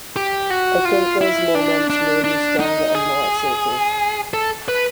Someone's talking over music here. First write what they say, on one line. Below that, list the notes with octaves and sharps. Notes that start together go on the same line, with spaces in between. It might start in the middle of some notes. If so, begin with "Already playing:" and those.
I think those moments made me stronger and more assertive.
G4
F#4
F4
E4
D4
D4
D4
D#4
G#4
A4
B4